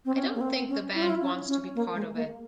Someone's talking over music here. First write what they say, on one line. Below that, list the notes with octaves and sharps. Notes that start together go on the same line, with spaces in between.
I don't think the band wants to be part of it.
C4
C#4
A#3
C4
C#4
E4
F4
E4
C#4
C#4
A#3
G#3
A#3